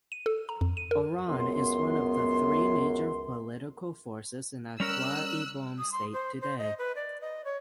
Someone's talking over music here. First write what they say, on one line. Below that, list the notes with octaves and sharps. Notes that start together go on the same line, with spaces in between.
Oron is one of the three major political forces in Akwa Ibom State today.
D#7
A4
A#5
F2
D#7
A#4
C#2 F#2 B3 C6
G3 C#4 A#4 E6 F#6
D#6
C6
C5
C5
D#5
B4
D5
D#5
C#5